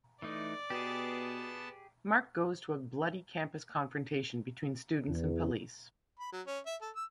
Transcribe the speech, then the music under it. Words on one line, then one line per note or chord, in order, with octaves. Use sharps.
Mark goes to a bloody campus confrontation between students and police.
E3 A3 D#4 D5
B2 B3 G4 G#4 A5
E2
B5
F#3
C#4
E5
A4
E6